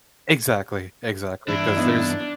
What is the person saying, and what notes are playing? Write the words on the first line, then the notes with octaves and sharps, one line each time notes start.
Exactly, exactly. 'Cause there's
G2 E3 D4 E4
B3 D#4